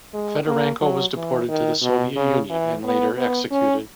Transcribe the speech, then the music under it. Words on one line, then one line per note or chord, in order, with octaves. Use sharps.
Fedorenko was deported to the Soviet Union and later executed.
G#3
A#3
F#3
E3
D#3
B2
C#3
E3
B3
B3
C#4